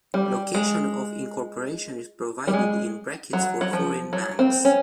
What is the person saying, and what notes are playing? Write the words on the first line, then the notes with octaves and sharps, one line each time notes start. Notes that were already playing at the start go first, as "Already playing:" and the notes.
Location of incorporation is provided in brackets for foreign banks.
G3
G#3
G3
G#3
F#3
F#3
F3
F#3
C4
C#4